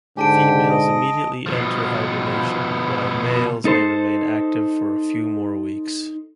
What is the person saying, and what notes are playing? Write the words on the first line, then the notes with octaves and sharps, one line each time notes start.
Females immediately enter hibernation, while males may remain active for a few more weeks.
G#2 D3 G4 G#5 A5 D7
D#5
B2 F3
D#4 A4 C5